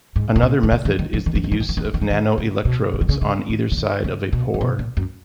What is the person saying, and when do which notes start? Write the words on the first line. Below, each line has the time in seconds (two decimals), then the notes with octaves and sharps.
Another method is the use of nanoelectrodes on either side of a pore.
0.16 G#2
0.36 B2
0.43 A#2
0.63 D#3
0.72 C#3
0.85 D#3
0.99 D#3
1.13 E3
1.26 D#3
1.35 E3
1.44 D#3
1.52 E3
1.60 D#3
1.69 E3
1.77 D#3
1.85 E3
1.94 D#3
2.01 E3
2.11 D#3
2.38 C#3
2.65 B2
2.94 C#3
3.01 D#3
3.09 C#3
3.21 C#3
3.50 D#3
3.72 C#3
3.77 D#3
4.04 C#3
4.33 B2
4.54 A#2
4.61 B2
4.79 A#2
4.97 F#2